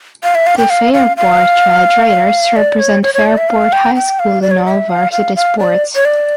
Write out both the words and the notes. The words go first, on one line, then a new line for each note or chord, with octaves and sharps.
The Fairport Red Raiders represent Fairport High School in all varsity sports.
F5
E5
F5
G5
F5
F5
F5
D5
C#5
C#5
C#5
D5
E5
F5
G5
G5
F5
D5
C#5
D5
E5
F5
F5
F5
D5
C#5
D5